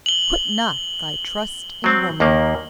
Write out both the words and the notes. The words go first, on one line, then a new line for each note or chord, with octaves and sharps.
Put not thy trust in woman!
F#7 G7
F#3 C4
D#2 D#3 A#3